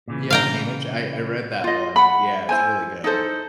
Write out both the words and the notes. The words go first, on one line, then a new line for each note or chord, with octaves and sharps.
Yeah, of Haymitch? I I read that one. Yeah, it's really good.
A#2 C#3 E3
F5 G5 A#5
F4 D#5
F#5 B5
E4 C5 G#5
D#4 E4 A4 C5